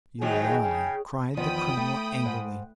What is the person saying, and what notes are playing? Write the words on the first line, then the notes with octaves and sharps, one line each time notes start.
"You lie!" cried the colonel, angrily.
G#2 D#3 F#3 G#4 G5
C#3
E2 D#3 F3 G5 B5 D#6
A3
G#2